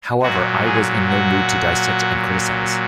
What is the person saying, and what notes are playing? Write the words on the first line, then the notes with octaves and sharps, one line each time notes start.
However, I was in no mood to dissect and criticize.
A#2 F#3 F#4
G#4
F#4